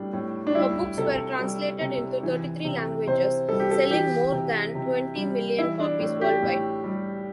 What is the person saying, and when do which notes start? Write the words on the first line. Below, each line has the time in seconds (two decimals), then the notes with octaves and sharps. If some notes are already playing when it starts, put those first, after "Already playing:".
Her books were translated into thirty-three languages, selling more than twenty million copies worldwide.
Already playing: A2 G3 D4
0.13 A2
0.47 D4
0.55 G3 E4
0.97 C3 A4
1.39 G3
1.81 C3
2.23 E3
2.65 C3
3.07 C3 C5
3.49 G3 A4
3.60 G4
3.71 A4
3.90 E3 G4
4.32 C3
4.75 C3
5.16 G3
5.58 E3 E4
5.80 D4
6.00 A2
6.21 G4
6.43 A2
6.84 G3